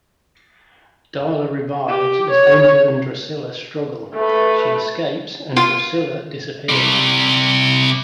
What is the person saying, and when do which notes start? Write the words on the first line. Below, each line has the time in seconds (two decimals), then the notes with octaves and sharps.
Darla revives as Angel and Drusilla struggle; she escapes and Drusilla disappears.
1.88 G4
2.31 C#5
4.14 A3 B4
5.56 F4
6.69 C3 G3